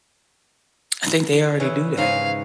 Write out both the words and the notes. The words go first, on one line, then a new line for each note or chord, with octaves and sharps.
I think they already do that.
C#3 E3
G#2 C#3 F5 G#5